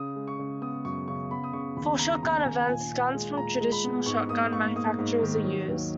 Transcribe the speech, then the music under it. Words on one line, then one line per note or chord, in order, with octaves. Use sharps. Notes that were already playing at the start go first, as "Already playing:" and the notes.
For shotgun events, guns from traditional shotgun manufacturers are used.
Already playing: C#3 D#6
G#3
C#6
C#3
B3 D#6
F#2 C#6
C#3 C#6
B3 B5
D#6
C#3 C#6
D#2 B5
B3 A#5
D#2 A#5
D#2 G#5
A#2 G#5
A#2
G#3
A#2 A#5
G#3
B5
B3
G#2 C#6
A#3 D#6
A#3 C#6
A#3 D#6
G#2
D#3
F#3
D#2